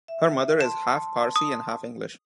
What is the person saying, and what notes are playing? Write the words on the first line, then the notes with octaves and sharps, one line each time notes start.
Her mother is half-Parsi and half-English.
E5
A5 C6 E7
D#6